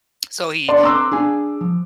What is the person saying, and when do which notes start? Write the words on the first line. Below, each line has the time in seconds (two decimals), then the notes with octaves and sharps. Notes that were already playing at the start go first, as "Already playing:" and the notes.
So he
0.68 D4 D5 C6
0.84 C4 A#5 C6 D6 E6 F#6
1.12 D4 G#4 G#5
1.61 F3